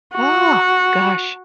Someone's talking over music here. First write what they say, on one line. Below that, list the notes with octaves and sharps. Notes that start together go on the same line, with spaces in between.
Oh, gosh.
F#4